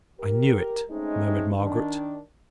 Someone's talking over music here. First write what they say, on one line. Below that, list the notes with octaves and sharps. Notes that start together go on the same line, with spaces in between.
"I knew it," murmured Margaret.
G4 A#4
G#3 A3 C4 C#4 D#4
D#3 D4